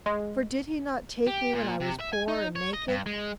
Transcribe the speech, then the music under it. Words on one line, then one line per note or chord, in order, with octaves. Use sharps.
For did he not take me when I was poor and naked?
G#3
G4
A#2
C3
E5
G#5
D#4
C#5
D#5
G2
G#3